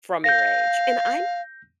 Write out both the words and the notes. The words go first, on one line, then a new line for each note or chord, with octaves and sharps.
from your age, and I'm
F5 G6 A#6